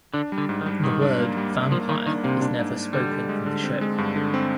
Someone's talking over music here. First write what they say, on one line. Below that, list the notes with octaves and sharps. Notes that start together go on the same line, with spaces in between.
The word "vampire" is never spoken in the show.
D3 D4
G3
D3
G#2
D#3
G3
G#2 D#3
D4
A#3
G3
G3
F3 A#3
D#3 A#3
D#3 D4
C3 A#3
D4
G#2
D4
D3 G3
D3
G#3
D3
C4
G#3
G2
D3
C4